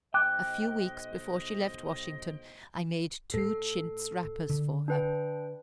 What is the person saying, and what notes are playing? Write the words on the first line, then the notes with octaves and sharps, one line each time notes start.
A few weeks before she left Washington I made two chintz wrappers for her.
B1 C5 D#5 G5 D6 F#6
A2 A4 C7
D3
D4 B4 G5